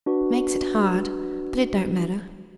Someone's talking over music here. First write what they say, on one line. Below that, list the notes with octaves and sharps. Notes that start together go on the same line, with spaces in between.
Makes it hard; but it don't matter.'
D4 F#4 B4